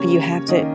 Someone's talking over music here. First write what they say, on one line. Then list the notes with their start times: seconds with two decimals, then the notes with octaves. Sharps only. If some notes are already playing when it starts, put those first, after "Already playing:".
You have to
Already playing: C#3 G3 A#3 C#4 C#5
0.48 D#3 A#3 C#4 D#5